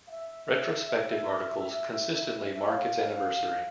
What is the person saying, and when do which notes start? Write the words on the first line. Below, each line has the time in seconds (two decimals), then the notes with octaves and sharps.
Retrospective articles consistently mark its anniversary.
0.07 F5
0.11 E5
2.55 E5
2.65 F5